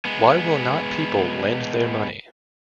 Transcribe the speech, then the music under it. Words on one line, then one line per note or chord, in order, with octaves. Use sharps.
Why will not people lend their money?
G#3 B3